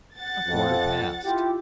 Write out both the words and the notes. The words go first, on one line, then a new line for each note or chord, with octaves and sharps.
A quarter past.
F#5 A6
F2
E4 F4 G4